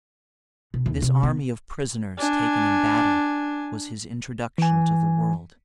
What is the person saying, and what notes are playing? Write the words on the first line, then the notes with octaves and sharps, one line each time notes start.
This army of prisoners taken in battle was his introduction to the world.
B2
D#2
C3
B3
D4 G#5
E3 G#5